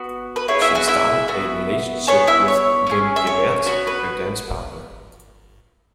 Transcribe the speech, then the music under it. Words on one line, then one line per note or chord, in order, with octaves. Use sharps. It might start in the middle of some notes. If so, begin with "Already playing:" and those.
She started a relationship with Wim Gevaert her dance partner.
Already playing: B3 F#4
B4
B3 E4 G#4 C#5
E4 E5
F#4 F#5
E4 E5
B3 F#4
B3 G#4 C#5
E4 E5
C#5
C#4 E4 G#4
E5
C#5
B3 F#4 C#5
B4